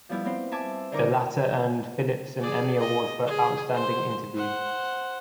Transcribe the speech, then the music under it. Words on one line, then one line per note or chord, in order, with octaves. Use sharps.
The latter earned Phillips an Emmy Award for Outstanding Interview.
F3 G3 B3 E4 G4
B3 C4 C5
E5 G#5 A5 D6
D3 D#4 A#4 D6
G#4 D5
D#5
G#4
C5
C5 F#5